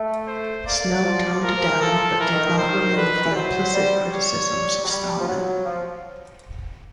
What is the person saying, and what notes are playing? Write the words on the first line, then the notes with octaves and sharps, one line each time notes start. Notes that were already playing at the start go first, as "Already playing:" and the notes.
Snow toned down but did not remove the implicit criticisms of Stalin.
Already playing: A3
C5
A#3 D5
A#3
F#3
F3
F3 A#4
F3
E3
F3 A4
E3 A#4
D#3
D#3
C5
D#3
D3 B4
D#3
E3
G3
F#3 C5
G3
G3 C#5
F#3
G3
F3
F#3
F3